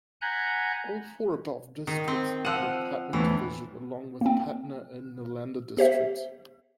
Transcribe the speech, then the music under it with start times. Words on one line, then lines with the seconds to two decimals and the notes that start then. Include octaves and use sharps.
All four above districts falls under Patna Division along with Patna and Nalanda District.
0.21 F#5 G#5 A#5 B5 F#6 G6
1.87 D#3
2.08 C4
2.45 F3 F#5 E6 F#6 D#7
3.13 E2 A2 D3 E3
4.21 A#3 C4
5.77 B3 G4 C5 E5